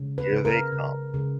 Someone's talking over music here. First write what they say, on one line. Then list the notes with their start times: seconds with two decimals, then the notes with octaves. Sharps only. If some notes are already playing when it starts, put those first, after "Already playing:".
Here they come.
Already playing: C#3
0.18 B4
0.31 C#3
0.45 A#4
0.72 C#3
1.14 C#3